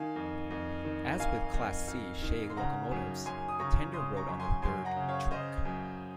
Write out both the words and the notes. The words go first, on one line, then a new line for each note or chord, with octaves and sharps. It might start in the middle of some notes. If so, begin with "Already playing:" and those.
As with Class C Shay locomotives, the tender rode on the third truck.
Already playing: D#3 F5 G#5
F2
F2
D#3
D#3 F5 G#5
F2
F2
D#3
C6
C#3 F#5 A#5
F#2
F#2 G#5 C6
D#6
C#3 A#5 C#6
C#3 C6 D#6
A#5 C#6
F#2
G#5 C6
F#2 G#5 C6
F#5 A#5
C#3
C#5 F5
C#3 C5 D#5
F#2